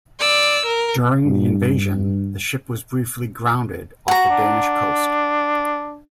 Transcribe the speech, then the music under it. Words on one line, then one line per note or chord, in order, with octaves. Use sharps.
During the invasion, the ship was briefly grounded off the Danish coast.
D5 E6
A#4
G2
F#4 F#5 A#5
D4